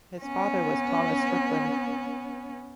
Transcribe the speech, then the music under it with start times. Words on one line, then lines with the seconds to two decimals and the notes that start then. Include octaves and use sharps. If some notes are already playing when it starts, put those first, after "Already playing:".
His father was Thomas Strickland.
0.21 B3 C#4